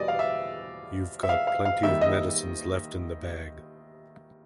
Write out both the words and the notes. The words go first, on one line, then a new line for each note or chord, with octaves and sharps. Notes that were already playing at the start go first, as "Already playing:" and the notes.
You’ve got plenty of medicines left in the bag.
Already playing: E2 B2 G3 D5 D#5
F5
E5
E5
F5
F5
F5
D#2 D#3 G3 E5
D#5